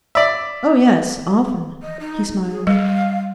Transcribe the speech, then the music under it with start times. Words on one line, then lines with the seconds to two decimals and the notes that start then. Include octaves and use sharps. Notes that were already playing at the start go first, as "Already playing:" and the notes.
'Oh yes, often.' He smiled.
0.15 D5 E5
1.82 D#5
2.00 D#4
2.51 G#4
2.67 G3 F5